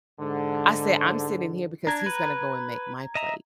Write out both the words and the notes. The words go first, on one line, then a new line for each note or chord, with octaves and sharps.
I said, "I'm sitting here because he's gonna go and make my plate."
G#2 D3
D4 A#5 G#6
B4
D#5 E5 A#5